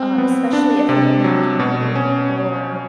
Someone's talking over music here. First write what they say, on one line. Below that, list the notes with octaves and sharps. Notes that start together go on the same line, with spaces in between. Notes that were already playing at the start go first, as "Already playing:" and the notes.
um, especially if they don't have community or
Already playing: C4
B3
D4
C3
F#3
B2
C#4